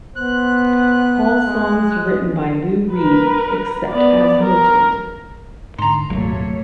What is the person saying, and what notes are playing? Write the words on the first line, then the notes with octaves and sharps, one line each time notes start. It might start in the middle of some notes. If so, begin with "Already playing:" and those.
All songs written by Lou Reed except as noted.
B3 C5 F#6
G#3
A#4 B4
B3 D5
A#4
G#2 D3 A#5 C6
D#1 G#1 C3 F#3 A3 A#3 C#5